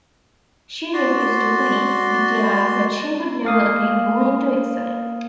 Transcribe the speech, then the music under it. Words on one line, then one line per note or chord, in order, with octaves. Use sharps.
She refused to flee, declaring that she would never again go into exile.
F#4 D5 C6
A#3 F5 D#6